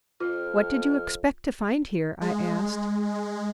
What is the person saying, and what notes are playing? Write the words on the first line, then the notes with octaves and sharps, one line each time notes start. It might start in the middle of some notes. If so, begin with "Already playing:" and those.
"What did you expect to find here?" I asked.
F2 F4 F6
G#3